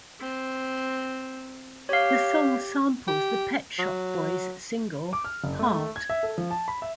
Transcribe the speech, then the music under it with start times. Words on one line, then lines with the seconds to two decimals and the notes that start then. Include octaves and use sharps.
The song samples the Pet Shop Boys' single, "Heart".
0.20 C4
1.89 G4 C#5 F5
3.07 G4
3.78 F#3
5.13 D6
5.25 F6
5.44 F#1
5.59 A3
5.74 A3
5.96 G#6
6.10 E5
6.23 A4
6.38 F3
6.51 A5
6.68 B5
6.82 E5